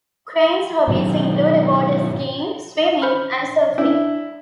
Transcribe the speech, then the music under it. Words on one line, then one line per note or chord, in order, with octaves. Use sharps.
Crane's hobbies include water skiing, swimming and surfing.
G#2 B2 D#3 F#3
C5 B5 F6
C#4 D4 E4